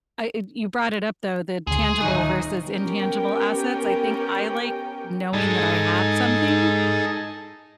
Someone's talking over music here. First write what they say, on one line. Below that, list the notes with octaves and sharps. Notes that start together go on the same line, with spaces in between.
I it you brought it up, though, the tangible versus intangible assets, I think I like knowing that I have something,
D2 D3 G#4 C6
D#1 D#4 C#6 F#6
B3 C#4 G4 A#4 G5
G#2 G#3 D#4 G#4 A4